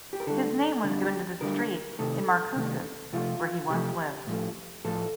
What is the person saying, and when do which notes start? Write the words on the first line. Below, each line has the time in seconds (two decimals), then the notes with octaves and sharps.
His name was given to the street in Marcoussis where he once lived.
0.13 G4
0.20 A#4
0.27 D3 G3 A4
0.84 D3 G3
1.04 G4
1.41 D3 G3 A#4
1.99 C3 D#3 A3 A4
2.56 C3 D#3 A3
3.13 C3 F3 A3 F4
3.70 C3 F3 A3 G4
4.27 A2 F3 A3
4.84 A2 F3 A3 A4